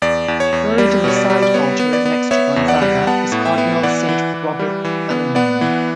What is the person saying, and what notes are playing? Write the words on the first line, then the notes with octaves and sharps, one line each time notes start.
Buried in the side altar next to Gonzaga is Cardinal Saint Robert Bellarmine.
E2 D5
E2
C#5
E2
G3 D5
B2 C#5
D5
G3
D5
B3 C#5
B3
D5
B3
B3 C#5 E5
E2
D5 F#5
G3
B3 F#5 A5
A2
E5 G5
B3
E3 D5 F#5
E3
E3
G3
E3
B3
B3 D5 F#5
E3